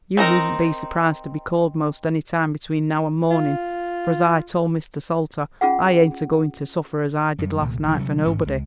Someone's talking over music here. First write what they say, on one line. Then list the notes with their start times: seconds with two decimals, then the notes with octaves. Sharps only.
"You needn't be surprised to be called most any time between now an' mornin'; for, as I told Mr. Salter, I ain't a-goin' to suffer as I did last night for nobody."
0.17 C4 D#4 A#4
3.31 F4
5.61 C#4 F4 G#4 F#5
7.39 F#2 G3
7.62 C2 A#2 D3
7.84 A1 D3
7.97 C3 F#3 G3 C#4
8.24 A1 G#2 C#4
8.45 C#2 G#3